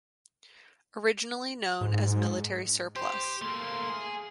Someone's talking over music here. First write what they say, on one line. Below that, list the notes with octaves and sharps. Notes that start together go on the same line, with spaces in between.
Originally known as 'Military Surplus'.
G#2
G4 C5
A3 A#3 C6
G#4